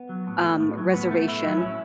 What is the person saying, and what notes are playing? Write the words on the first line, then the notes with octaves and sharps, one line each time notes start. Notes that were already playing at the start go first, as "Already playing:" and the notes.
um, reservation,
Already playing: B3
F#3
A2
A3
A2
F#3
A2 B3
A3
A2 E4
F#3
C#4
A2 E4